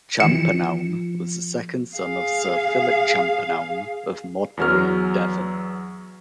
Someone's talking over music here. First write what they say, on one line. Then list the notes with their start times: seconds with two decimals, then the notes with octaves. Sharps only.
Champernowne was the second son of Sir Philip Champernowne of Modbury, Devon.
0.20 E3 F3 C#7 E7
1.96 G#4 F5
4.57 E2 F#3 F6